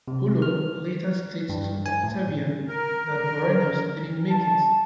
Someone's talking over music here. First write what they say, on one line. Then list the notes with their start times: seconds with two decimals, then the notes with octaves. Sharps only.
Pullo later states to Octavian that Vorenus didn't make it.
0.08 C3
0.42 F6
1.49 G2
1.86 G#5
2.03 A2
2.68 A#4
4.30 A5